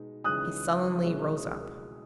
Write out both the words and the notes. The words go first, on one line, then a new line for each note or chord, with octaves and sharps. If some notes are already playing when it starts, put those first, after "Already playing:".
He sullenly rose up.
Already playing: B2 G#3 D#4
C#3 E3 G#3 D#4 D#6 F#6
B2 G#3 C#4 E4